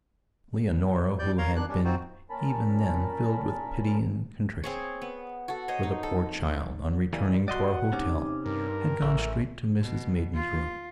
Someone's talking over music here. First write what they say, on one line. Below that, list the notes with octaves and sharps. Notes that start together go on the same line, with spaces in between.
Leonora, who had been even then filled with pity and contrition for the poor child, on returning to our hotel had gone straight to Mrs Maidan's room.
E2 G3 D5 G6
A#4 C#5 F5 A#5 C6
D#3 D4 F#6
G3 C#4 D4
C4 D#4 F4 F#4 C5
A#2 C#4 A#4 A5 B5
C4 G#4 C#5
B3
F#4 A4
C5 C#5 D#5
D#4
A4
D#2 E3 A#3 D5
F#4 D5 D#5 F#5 C6
C3 C#4 D#4 D6
G2 A#4
A1 A3 E5 G#5
B2
F4